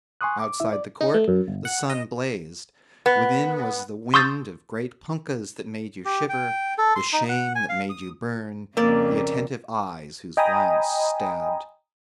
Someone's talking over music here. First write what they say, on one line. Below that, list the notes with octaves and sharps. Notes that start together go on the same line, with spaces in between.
Outside the court the sun blazed--within was the wind of great punkahs that made you shiver, the shame that made you burn, the attentive eyes whose glance stabbed.
G#5 C6 C#6 D#6 F#6
D6
D2 E4 E5
D5
D#4
A3
F#2
G1
F#5
D#5
B3
C6 C#6 D#6 E6 G6 A6
G4
G5
A4
C6
D#4
F#5
G#5
F5
D#6
F2 C#3 A#3 A#4 D5
D#5 G5 G#5 A#5 B5 D#6